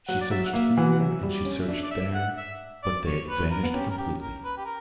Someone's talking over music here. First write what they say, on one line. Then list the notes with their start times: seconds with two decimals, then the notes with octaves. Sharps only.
She searched here and she searched there, but they had vanished completely!
0.08 F#3 F#5
0.21 D5
0.31 F#3 E5
0.46 F#5
0.53 A#3 E5
0.76 E3 F#5
0.90 F#5
1.00 F#3 E5
1.23 G3
1.30 D5
1.45 C#4
1.61 E5
1.68 D4
1.83 D5
1.91 E5
2.14 F#5
2.37 E5
2.83 D5
3.06 C#5
3.28 B4
3.51 A#4
3.63 B3
3.74 C#4 G4
3.90 A#4
3.98 G4
4.19 A#4
4.43 B4
4.57 G4
4.65 A#4